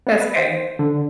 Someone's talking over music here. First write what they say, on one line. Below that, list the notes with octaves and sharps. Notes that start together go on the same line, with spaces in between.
That's fair.
B3
B4
C5
D3